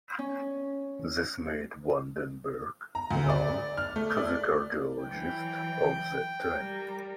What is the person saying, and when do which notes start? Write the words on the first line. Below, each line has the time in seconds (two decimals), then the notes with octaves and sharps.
This made Van den Berg known to the cardiologists of that time.
0.19 C#4
2.95 A#5
3.11 D2
3.30 D5
3.77 F6
3.96 A3
4.17 D5
4.99 E3 F#3 G5
6.55 G3 A#4